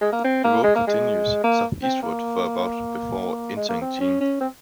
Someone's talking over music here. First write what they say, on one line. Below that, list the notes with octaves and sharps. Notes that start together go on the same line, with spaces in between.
The road continues southeastward for about before entering Jean.
G#3
A#3
C4
A#3
G#3
A#3
G#3
A#3
C4
A#3
G#3
A#3
C4
C#4
C#4
C4